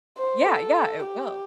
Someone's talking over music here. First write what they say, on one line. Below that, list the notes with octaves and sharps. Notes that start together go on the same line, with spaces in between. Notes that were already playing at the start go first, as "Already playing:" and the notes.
Yeah, yeah, it will.
C5
A4
G4